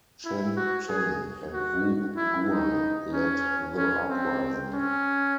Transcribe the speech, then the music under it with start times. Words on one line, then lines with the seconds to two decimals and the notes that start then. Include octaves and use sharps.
Chen Sheng and Wu Guang led the uprising.
0.24 E4
0.56 F#4
0.88 G#4
1.52 F#4
2.16 E4
2.49 D#4
3.12 C#4
3.77 C#4
4.09 C4
4.73 C#4